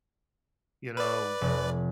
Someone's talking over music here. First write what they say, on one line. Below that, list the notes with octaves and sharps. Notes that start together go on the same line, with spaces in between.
you know,
B4 D5
F1